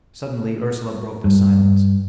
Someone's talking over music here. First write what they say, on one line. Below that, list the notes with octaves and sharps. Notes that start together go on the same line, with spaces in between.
Suddenly Ursela broke the silence.
G2